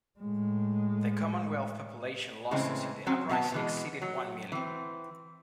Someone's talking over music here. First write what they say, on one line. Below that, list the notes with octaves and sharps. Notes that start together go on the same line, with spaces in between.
The Commonwealth population losses in the uprising exceeded one million.
A2 G#3
A2 C#3 E3 G#3 C4
F#3 C4 C#4
B2 B3 G5 A5
B2 E3 G#3
F#3
E3 C4